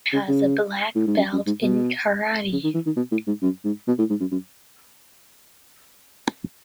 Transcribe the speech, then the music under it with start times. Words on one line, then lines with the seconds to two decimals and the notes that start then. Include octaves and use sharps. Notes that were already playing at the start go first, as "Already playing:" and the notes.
He has a black belt in karate.
0.12 C#3
0.28 C#3
0.95 A2
1.07 G#2
1.17 F#2
1.32 F#2
1.47 G#2
1.62 B2
2.52 C#3
2.64 D#3
2.74 E3
2.86 D#3
2.96 B2
3.11 A2
3.27 G#2
3.42 F#2
3.64 G#2
3.87 B2
3.99 A2
4.10 G#2
4.20 F#2
4.31 F#2